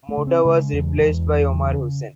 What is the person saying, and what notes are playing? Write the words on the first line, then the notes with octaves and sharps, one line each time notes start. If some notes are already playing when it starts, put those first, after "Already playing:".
Mota was replaced by Omar Hussein.
A3
C#3
C4
C#3 G#3
E2
E2
E2
C#3 F#3